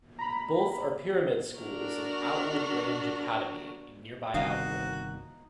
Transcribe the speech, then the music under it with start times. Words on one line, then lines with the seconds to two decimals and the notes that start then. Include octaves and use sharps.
Both are pyramid schools of Outwood Grange Academy in nearby Outwood.
0.19 A#5 B5
1.57 D4 F#4 A#4
4.34 G1 C2 D#3 D#4 F#4 F5